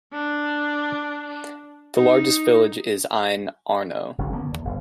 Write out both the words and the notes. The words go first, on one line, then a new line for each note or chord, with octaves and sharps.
The largest village is Ine, Arno.
D4
D#4
F#1 G#2 C4 C#4
D3 F3 A#3 B3
E2
G1 B2